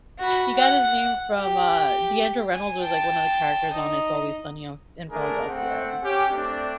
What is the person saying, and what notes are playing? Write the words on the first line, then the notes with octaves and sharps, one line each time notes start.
he got his name from, uh Deandra Reynolds was, like, one of the characters on It's Always Sunny o in Philadelphia, and
F#4 B5
F#5
G4
G#5
G5 A5
D#4 D#5
A3 D4 G#4 A#4
A3 C4 F#5
C#4 G4
A3 C4 D4